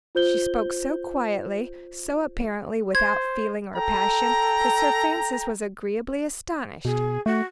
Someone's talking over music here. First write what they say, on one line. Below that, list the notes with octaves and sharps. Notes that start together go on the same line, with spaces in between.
She spoke so quietly, so apparently without feeling or passion, that Sir Francis was agreeably astonished.
F4 C5 G6 G7
C5 G#6
A4 G5 A#5
B2 G#4
A3 F#4